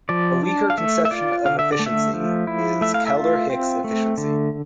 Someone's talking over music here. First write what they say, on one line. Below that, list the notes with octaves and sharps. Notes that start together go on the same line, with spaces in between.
A weaker conception of efficiency is Kaldor-Hicks efficiency.
F3 D5
D4
F5
A3 E5
E5
F4 D5
D3 F5
E5
D5
A3
E5
F3
E4
A3 E5
F5
E5
F4
C4
A3
D3